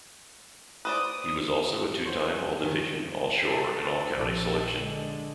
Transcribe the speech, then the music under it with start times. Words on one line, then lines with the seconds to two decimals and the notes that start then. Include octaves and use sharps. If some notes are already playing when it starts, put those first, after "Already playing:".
He was also a two-time All-Division, All-Shore and All-County selection.
0.85 B4 C5 D5 D#6
2.06 B3 C5 C#5
2.34 G#4
2.64 D#3
3.42 A4
4.13 A#1
4.76 D3 G#3